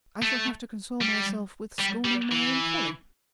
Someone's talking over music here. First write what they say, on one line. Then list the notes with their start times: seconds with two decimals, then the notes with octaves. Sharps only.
I shall have to console myself with scorning my own folly.
0.22 A3
1.01 G3
1.79 G3
2.05 G3
2.32 E3